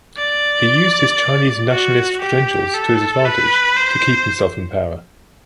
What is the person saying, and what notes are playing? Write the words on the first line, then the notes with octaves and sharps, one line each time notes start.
He used his Chinese nationalist credentials to his advantage to keep himself in power.
D5
F#4
G4
A4
B4
C5